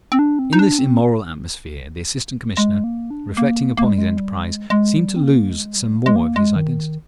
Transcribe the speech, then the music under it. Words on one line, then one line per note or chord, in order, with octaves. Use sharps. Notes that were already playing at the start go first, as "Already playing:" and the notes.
In this immoral atmosphere the Assistant Commissioner, reflecting upon his enterprise, seemed to lose some more of his identity.
C4
D4
C4
D#4
D4
C4
G#3
A#3
D4
G#3
A#3
A#3
G#3
G3
G#3
G3
G#3
G#3
G3
C4
A#3
G#3
G3
A#3
G#3
A#3
G#3
D#3